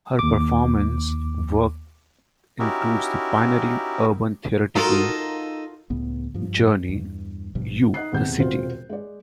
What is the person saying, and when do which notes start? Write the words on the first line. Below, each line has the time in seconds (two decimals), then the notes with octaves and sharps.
Her performance work includes the pioneering urban theatrical journey, "You-The City".
0.19 D#2 D6
2.59 C#4 D#4 E4 F#4 G4 A#4
4.75 D#4 F4 F#4 A4 A#4
5.90 C#2 A2 C#3 B3
6.34 G2 F3
6.89 E2 G2
7.55 A1 G2 B2 F3
7.94 D#4 D#5 F#6 C7
8.12 D#1 E2 C3 G#3 G6
8.39 E1 C3 F4 F#4 C5
8.89 G#3 D5